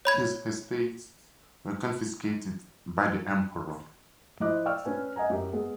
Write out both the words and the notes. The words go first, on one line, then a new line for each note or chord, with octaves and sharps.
His estates were confiscated by the Emperor.
C#5 B5 G#6
F3 E4 C5 D#5 D6 F#6
D5 F5 G5 C#6 E6 F6
C#4 B4 G#5
D#5 F#5 G#5 A#5
F#2 G4 A#4
G#3 B3